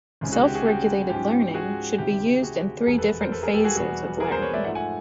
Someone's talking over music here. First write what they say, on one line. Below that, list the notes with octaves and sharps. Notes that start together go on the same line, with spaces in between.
Self regulated learning should be used in three different phases of learning.
C#2 C3 D#3 G#3 C#4
F#4 G#4
G4
F#4 G#4
G4
G#2 F3 G#3 C#4 G4
F#4 G#4
D2 C3 D#3 G4
F#4 G#4
F1 E2 B2 G#4 A#4
A4 B4
A4 B4
A#4 C5
A4 B4
G#4 A#4
G4 A4
F#4 G#4
E2 B2 G3 B3 F#4 G#4
G#4 A#4
A#4 C5
B4 C#5
D5 E5
G#2 F3 A3 E5 F#5
F#5 G#5